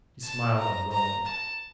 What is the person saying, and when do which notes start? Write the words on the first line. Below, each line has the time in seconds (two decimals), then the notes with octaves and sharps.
He smiled unwillingly.
0.23 A5
0.58 A#5
0.91 A#5
1.26 A5